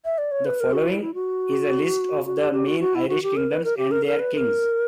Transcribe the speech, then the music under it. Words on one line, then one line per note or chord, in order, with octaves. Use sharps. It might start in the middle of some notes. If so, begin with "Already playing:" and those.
The following is a list of the main Irish kingdoms and their kings.
E5
D5
C#5
B4
A#4
F#4
E4
E4
F#4
F#4
G4
G4
F#4
F#4
E4
F#4
G4
A#4
B4
A#4
G4
A#4
A#4
B4
B4
A#4